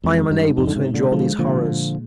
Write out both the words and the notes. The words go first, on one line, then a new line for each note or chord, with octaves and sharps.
I am unable to endure these horrors.
F2 G#3
G2 D#4
F2 G#2 G#3
D3
G#2 C3
G#3
A#2 D3
D3 F3 G#3
A#2 D3 F3
A#2